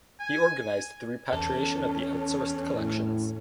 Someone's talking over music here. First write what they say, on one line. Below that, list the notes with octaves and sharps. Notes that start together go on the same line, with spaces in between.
He organized the repatriation of the outsourced collections.
G#5
E2 C#4 A4
A2